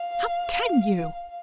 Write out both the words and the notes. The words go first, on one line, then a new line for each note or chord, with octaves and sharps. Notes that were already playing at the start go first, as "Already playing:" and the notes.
How can you?
Already playing: F5